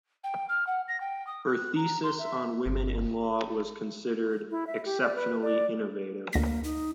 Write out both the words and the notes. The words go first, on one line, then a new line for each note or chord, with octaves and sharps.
Her thesis on women in law was considered exceptionally innovative.
G5
F6
F#5
A#6
G5
D#6
F#6
A#5
C6
E5
G1
E4
E5
G4
D5
B4
D5
D2 A#3 A#6 B6
D#4